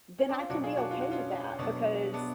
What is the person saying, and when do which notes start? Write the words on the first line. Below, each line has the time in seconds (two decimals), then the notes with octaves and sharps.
then I can be okay with that because,
0.19 C#4
0.29 D4
0.39 F4
0.50 B2 F#3 D4 F#4
0.63 F4 G#4
0.77 D4 F#4
0.91 F4
1.01 F#4
1.11 C#4 F4
1.51 C#4
1.59 B2 F#3 B3 D4
2.13 B3 D4